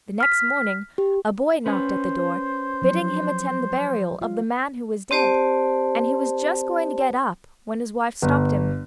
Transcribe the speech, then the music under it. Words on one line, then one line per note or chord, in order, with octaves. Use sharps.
The next morning a boy knocked at the door, bidding him attend the burial of the man who was dead, and he was just going to get up when his wife stopped him.
F6 B6
G4
C#4 B4 C5
F3 F#3
F4 F5
C4 G4 C5 D5 A5
G1